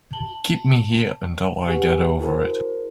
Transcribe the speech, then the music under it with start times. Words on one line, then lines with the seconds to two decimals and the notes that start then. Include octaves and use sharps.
Keep me here until I get over it.
0.13 A5 F#7 G7
1.67 G4 G#4 B4 F#5 G#5
2.20 E4 F#4 G#4 A#4 C5